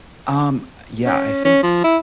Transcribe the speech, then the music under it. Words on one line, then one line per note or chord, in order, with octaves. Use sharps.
Um, yeah, I think
C#4
C#4
F3
E4